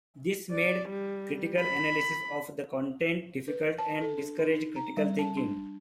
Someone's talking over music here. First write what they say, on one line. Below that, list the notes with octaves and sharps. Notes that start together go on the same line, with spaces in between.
This made critical analysis of the content difficult and discouraged critical thinking.
D5
G3
B5
B4
A5
A4
D4
D#4
D#4
A#5
G3
A5
D4